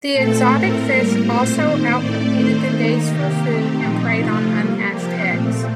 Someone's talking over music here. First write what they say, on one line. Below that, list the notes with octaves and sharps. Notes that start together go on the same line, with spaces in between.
The exotic fish also out-competed the dace for food and preyed on unhatched eggs.
A#2 A3 C4 A4
A2 A3 C4 A#4
A2 G3 A#3 A#4
A#2 A3 C4 C5
D#3 A#3 C5
A2 A3 C4 D5
D#3 A3 C4 C5
D#3 A#3 D#4
C3 D#3 A#3 G4
D#3 A3 C4 G4
A#2 F3 C4 D#4
C3 F3 A3 F4
C3 G3 A#3
C3 F3 A#3 G4
A#2 A3 C4